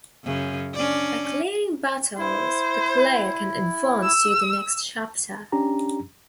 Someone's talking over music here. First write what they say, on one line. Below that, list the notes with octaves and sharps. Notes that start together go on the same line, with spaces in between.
By clearing battles, the player can advance to the next chapter.
F#2 C#3
C#4 D4 D5
E4 C5
E6
C#4 D4 G4 A#5